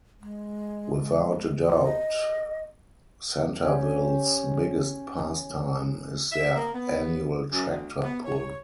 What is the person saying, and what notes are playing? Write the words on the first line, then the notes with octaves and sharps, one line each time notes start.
Without a doubt Centreville's biggest past time is their annual tractor pull.
G#3
F4
D#5
C#4 G4
E5
A#3
B3
F#2
D2
B3
C#5